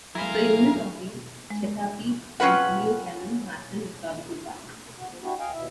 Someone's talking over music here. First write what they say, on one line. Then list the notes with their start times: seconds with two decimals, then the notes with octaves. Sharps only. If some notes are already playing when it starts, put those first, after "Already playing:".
This is a unit of the Chesapeake and Ohio Canal National Historical Park.
0.15 F#3 E4 G#4 A#4 C5 F5 B5
1.50 G#3
2.40 C4 C#4 F4 B4 F#5
4.97 F#4
5.09 F3
5.22 D4 E4 F#4 G4
5.39 D2 D#5 F5 G5 G#5
5.53 D#2 B2 E4 E5